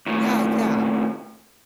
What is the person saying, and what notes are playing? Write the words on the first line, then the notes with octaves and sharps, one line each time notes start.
Yeah, yeah.
D#2 A2